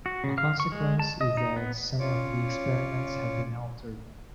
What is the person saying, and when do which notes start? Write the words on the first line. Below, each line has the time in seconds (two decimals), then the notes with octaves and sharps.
A consequence is that some of the experiments have been altered.
0.06 F#4
0.24 C#3
0.38 F5
0.60 C#6
0.72 G#3
0.99 A5
1.21 D#5
1.37 D#4
1.56 B3
1.99 C#4 F4 C#5 D5